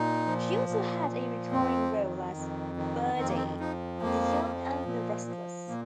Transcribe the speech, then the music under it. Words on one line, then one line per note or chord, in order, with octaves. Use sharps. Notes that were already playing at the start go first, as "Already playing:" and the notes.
She also had a recurring role as "Birdie" on "The Young and the Restless".
Already playing: A#2 D#4
F3
A#2
F3
F2 C4
D#3
F2
D#3
F2 C4
A#3
C4
F3 D#4
F2 A#3
F3
A#2
F3
A#2 A#3